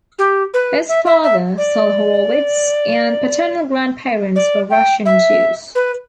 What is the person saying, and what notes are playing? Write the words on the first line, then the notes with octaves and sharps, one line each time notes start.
His father, Sol Horowitz, and paternal grandparents were Russian Jews.
G4
B4
E5
E5
E5
D5
D5
G5
E5
B4